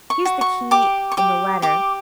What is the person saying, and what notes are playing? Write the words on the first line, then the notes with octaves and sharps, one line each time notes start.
Here's the key in the letter.
C#6
F#4
C#6
G4 D6
C#6
G4 D6
G4 D6